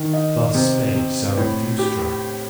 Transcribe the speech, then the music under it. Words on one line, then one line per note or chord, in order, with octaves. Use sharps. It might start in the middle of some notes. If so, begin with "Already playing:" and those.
Thus spake Zarathustra.
Already playing: D#3
D#4
C3
C3
A2
G4